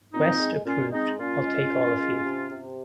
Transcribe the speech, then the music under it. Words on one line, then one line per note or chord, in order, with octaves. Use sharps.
West approved, I'll take all of you.
A#2 C4 D#4
G#3
A#2 C#4 F4
G#3 C4 D#4
A#2 C#4 F4
G#3
A#2
G#3
C3
C3